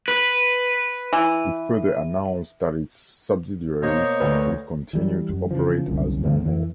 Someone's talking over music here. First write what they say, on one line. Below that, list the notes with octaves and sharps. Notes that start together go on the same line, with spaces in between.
It further announced that its subsidiaries would continue to operate as normal.
B4
E3
B2 A#3 C5 C#5 D#5
D2 B4
E3 G3
F#2
C#3 E3 F3
G1 C2 F#2
D2 G2 D3 C4
F2 E3